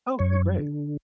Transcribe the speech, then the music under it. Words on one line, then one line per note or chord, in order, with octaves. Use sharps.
Okay, great.
F#2 C#5
D3